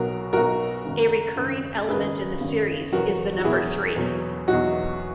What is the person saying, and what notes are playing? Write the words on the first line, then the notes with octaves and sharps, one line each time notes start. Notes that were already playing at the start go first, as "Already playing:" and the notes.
A recurring element in the series is the number three.
Already playing: B1 B2 F#3 F#4 A#4
B1 B2 F#3 F#4 A#4
G#1 F#2 C#3
G#1 F#2 C#3
G#1 F#2 C#3 G#4 B4
G#1 F#2 C#3
E2 B2 F#3 F#4 A#4
F#4
E2 B2 F#3 E4 G#4
E2 B2 F#3
E2 B2 F#3 D#4 F#4